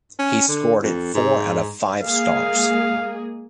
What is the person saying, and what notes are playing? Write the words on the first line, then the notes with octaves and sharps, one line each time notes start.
He scored it four out of five stars.
C#4
D3
F2
G#2
G#3 A#3 G#4 F5